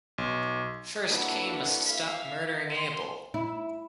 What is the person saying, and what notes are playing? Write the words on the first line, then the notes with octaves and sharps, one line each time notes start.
First, Cain must stop murdering Abel.
B1
A#3 D4 E4 F#4 A4 B4
E5 F5 B6
C6
E4